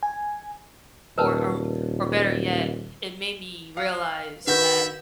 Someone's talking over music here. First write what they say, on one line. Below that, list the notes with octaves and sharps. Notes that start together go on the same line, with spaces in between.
or, um or better yet, it made me realize that
G#5
D#1 A#4 B4 A5
F5
D#3 F#4 B4 E5 G6